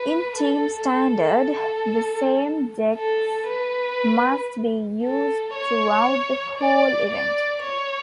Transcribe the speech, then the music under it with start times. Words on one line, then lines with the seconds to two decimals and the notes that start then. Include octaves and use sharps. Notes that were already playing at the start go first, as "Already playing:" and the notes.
In Team Standard, the same decks must be used throughout the whole event.
Already playing: B4
0.36 A4
0.88 A4
2.95 A4
3.47 B4
5.03 A4
5.55 C#5
6.58 D5
7.10 D5
7.62 C#5